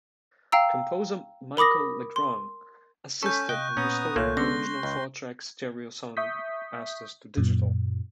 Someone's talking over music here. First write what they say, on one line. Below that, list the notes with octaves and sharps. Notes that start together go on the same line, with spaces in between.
Composer Michel Legrand assisted in restoring the original four-track stereo sound masters to digital.
F5 G5 A#5 E6
A#4 B5 D6 D#6 A#6
C6
C#4 A4 C#6 G6 B6
C3 D#5 F5 G5 F#6
A#2 B3 C#4 A#5 D#6
C2 A#2 A3 A#3 C#5 C6
D3 G#3 B3 C#4 C6 A#6
C#2 G5
E5 C#6 D#6 G6 B6
F#2 A#2